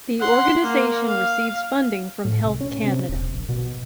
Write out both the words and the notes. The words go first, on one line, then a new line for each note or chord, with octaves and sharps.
The organization receives funding from Health Canada.
F#5 C6
A#3
F5
A2
C2
C#4
C3
E1
A#1
B2